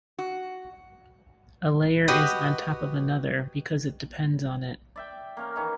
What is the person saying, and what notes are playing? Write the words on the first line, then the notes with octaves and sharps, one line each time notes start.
A layer is on top of another, because it depends on it.
F#4
F#4 G4 B4 D#5
D5 E5 G5
A#3 C#4 A#4
D#3 E3 C#4